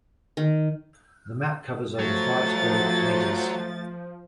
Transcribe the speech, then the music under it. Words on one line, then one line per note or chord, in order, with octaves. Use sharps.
The map covers over five square meters.
D#3
F3 F#3 A3 A6